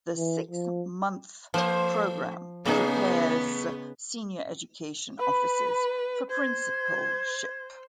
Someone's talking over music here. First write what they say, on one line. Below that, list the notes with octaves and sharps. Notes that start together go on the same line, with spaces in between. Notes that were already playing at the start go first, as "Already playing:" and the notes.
The six-month programme prepares senior education officers for principalship.
E3
F3
F3 A3 C5
C#3 A3 B3 C#4 D#4 G#4
B4 B5
C5 G#6